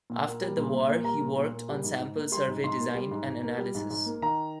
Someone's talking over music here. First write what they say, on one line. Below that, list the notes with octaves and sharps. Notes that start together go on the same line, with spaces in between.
After the war he worked on sample survey design and analysis.
A#2
A#3
G3
A#2
A#2
A#3
G3 A#5
A#2
A#2
A#3
G3
G#2
G#2
A#3
G3 C6
G#2
G#2 C6
A#3
G3
G#2
G#2
A#3
G3
G#2
G#2
A#3
D#3 A#5